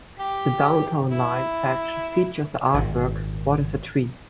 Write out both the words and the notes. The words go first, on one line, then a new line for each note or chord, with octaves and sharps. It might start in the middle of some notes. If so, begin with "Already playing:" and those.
The Downtown Line section features the artwork What is a Tree?
G4
E4
G#1 A#2